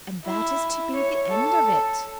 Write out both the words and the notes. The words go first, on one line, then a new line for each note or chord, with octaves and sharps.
"And that is to be the end of it."
E4
C#5
A4